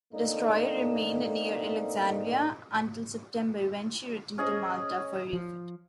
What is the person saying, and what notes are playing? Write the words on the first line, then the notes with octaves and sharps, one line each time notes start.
The destroyer remained near Alexandria until September, when she returned to Malta for refit.
A3 A#3 C4 D4 D#4
C#4 G#4 D#5
F3